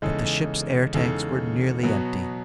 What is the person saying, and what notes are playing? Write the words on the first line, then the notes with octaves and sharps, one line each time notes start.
But the ship's air tanks were nearly empty.
E2 C#3 G#3 D#4 A4
E2 C#3 G#3 D#4 A4
B2 F#3 B3 F#4